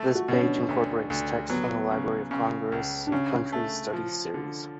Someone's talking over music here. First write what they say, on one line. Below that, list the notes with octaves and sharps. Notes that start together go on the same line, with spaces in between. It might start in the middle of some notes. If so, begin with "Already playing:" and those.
This page incorporates text from the Library of Congress's Country Studies series.
Already playing: A3
F#4
B2 C#4
D4
D2
D2
F#3 B3
C#3
C#3
C#2
D4
C#3 C#4
A3
F3
D3